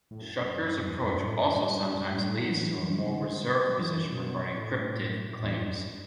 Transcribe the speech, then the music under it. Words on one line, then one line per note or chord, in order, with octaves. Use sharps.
Shuker's approach also sometimes leads to a more reserved position regarding cryptid claims.
A2
F#2
F#2
G2
F#2
E2
F#2
F#2
A2
F#2
G2
G2
A2
A2
F#3
E3
E3
F#3
E3
D3
C3
D3
F#3
E3
E3
B2
A2
E2
F#2
F#2
G2